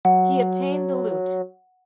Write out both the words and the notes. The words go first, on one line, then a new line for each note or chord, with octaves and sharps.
He obtained the Lieut.
F#3 F#5